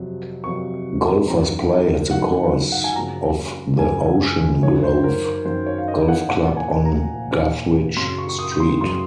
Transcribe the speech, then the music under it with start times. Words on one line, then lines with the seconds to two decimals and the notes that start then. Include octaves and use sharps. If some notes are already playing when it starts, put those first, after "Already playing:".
Golfers play at the course of the Ocean Grove Golf Club on Guthridge Street.
Already playing: F2 C3 F#3
0.44 F2 C3 F#3 C#6
1.28 F#2 D#3 F#3 A#5
2.11 F#2 D#3 F#3 F#5
2.72 F#5
2.84 G#5
2.95 F#2 C#3 F3 A#5
3.79 F#2 C#3 F3 G#5
4.62 F#2 D#3 F#3 C#5
4.83 C5
5.04 A#4
5.25 A#4
5.45 F#2 D#3 F#3 C5
5.66 C#5
5.78 F5
5.88 D#5
6.08 F#5
6.29 A#2 F3 F#5
6.57 G#5
6.85 A#5
7.13 A#2 F3
7.97 F#2 C#3 F#3 C6
8.18 C#6
8.29 C#6
8.39 D#6
8.60 C6
8.81 F#2 C#3 F#3 C6